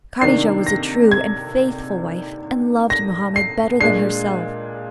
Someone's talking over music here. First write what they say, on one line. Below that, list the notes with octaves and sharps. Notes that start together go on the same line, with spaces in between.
Kadijah was a true and faithful wife and loved Mohammed better than herself.
C3 D#3 A#3 D4 C7
A#6
G#6
A#6
C7
A#2 G#3 D4 C7